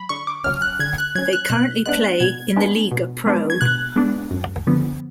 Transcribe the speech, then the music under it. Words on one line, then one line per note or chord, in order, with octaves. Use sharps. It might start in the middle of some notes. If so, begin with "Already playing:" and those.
They currently play in the Lega Pro.
Already playing: F#3 B5
D3 C#6
D6
F#3 C#4 F6
F#6
D3 G#6
F#6
F#3 C#4 G#6
F#6
B2 F#6
G#3 B3 D4 F#6
B2 G#6
G#3 B3 D4
B2
G#3 B3 D4
G#6
B2 F#6
G#3 B3 D4
F#2
D3 F3 B3